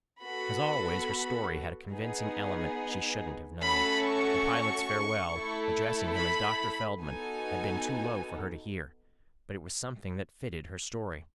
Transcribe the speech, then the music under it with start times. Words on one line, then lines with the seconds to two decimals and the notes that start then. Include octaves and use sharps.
As always her story had a convincing element she shouldn't have known. The pilot's farewell, addressing him as Dr. Feldman, had been too low for her to hear, but it was something that fitted her story.
0.22 B3 F#4 A4 B5
1.93 B3 D#4 G#4
3.62 A3 C#4 F#4 A4 B5
4.05 C#6
5.33 A3 E4 A4
6.17 B5
7.02 B3 D#4 F#4 A4 G#5